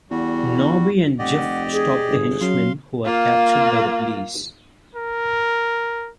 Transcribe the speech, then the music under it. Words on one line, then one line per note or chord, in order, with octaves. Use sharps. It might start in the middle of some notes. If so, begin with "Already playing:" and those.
Norby and Jeff stop the henchmen who are captured by the police.
E2 G3 F#4
F1 G4 D5 D#5 F#5
G#4
G1
F#2 F#3 F5 C6
A#3 F4
A#4